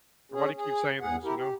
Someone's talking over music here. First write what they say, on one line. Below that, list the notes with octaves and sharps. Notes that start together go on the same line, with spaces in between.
"Why do you keep saying this," you know?
C#4 G#4
G#4
E2 G#4 F#5
E4 G4 A#4
G4